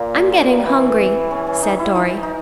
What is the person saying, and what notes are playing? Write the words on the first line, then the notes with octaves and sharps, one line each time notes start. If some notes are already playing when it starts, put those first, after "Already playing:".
"I'm getting hungry," said Dorry.
Already playing: A#2 A#3
G3 A#3
E3 B3
C#4
C#4
D#4
E4
G3
E3 D#4
D#4